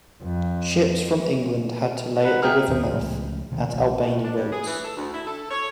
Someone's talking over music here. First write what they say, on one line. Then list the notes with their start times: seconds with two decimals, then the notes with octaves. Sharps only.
Ships from England had to lay at the river mouth at Albany Roads.
0.22 F2
2.24 D#4 F#5 B5
2.43 B3 D#4 G#4 E5 G5 F6
2.68 D#2 A#2 C4
2.87 C#2 A2 C#3 F3
3.52 C3 D#3 F#3 G3
3.73 C2 B2 F3
4.03 A2
4.24 D4
4.37 G2
4.51 G#4
4.67 E3
4.84 A4
4.96 D2
5.14 E4
5.26 A4
5.50 C#5